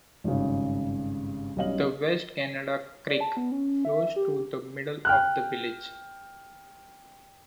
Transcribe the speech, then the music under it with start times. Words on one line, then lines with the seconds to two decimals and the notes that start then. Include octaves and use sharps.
The West Canada Creek flows through the middle of the village.
0.24 G#1 G2 C#3
1.56 B1 G3 C#4 D#5 F5 F#7
3.09 D5
3.21 A5
3.37 B3
3.51 C#4
3.85 E5
4.16 G4
5.05 G5 F6 F#6